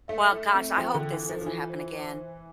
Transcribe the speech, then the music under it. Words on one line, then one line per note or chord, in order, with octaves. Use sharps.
Well, gosh, I hope this doesn't happen again,
A3 E5
E4
C4
F3 G5
D3
A4
E3
A4
F3
F3
E3 F4
C5
C5